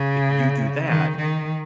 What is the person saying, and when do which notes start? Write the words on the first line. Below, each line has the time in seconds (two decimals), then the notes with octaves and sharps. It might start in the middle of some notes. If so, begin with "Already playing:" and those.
"If you do that,
Already playing: C#3
0.87 D#3
1.18 D#3